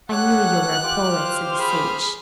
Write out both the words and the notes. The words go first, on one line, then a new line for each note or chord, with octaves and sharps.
"I knew you were a poet," said the sage.
G4 A4 C#5 F#5 F#6
F4 G4 D6
C5 F6
G#4 B5